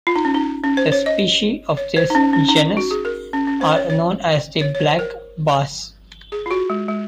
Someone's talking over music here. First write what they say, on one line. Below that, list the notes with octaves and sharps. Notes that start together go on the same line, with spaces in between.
The species of this genus are known as the black bass.
F4
D#4
C#4
D#4
C#4
C5
C#5
D#5
C#5
C5
D#4
C#4
C#4
D#4
F#4
G#4
A#4
C#4
C#4
C5
C#5
C#5
C#5
C#5
C5
C5
A#4
G#4
F4
F#4
G#3
G#3